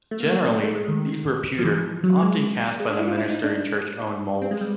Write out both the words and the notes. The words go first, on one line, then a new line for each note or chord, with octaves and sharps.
Generally, these were pewter, often cast by the minister in church-owned molds.
A3
A#3
A3
A3
G#3
D#3
F3
E3
F#3
G#3
G#3
D4
E4
F4
E4
D#4
D4
C4
G#3
G3